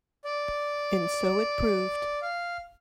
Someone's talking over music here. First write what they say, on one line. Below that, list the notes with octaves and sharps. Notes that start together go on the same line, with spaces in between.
And so it proved.
D5
F5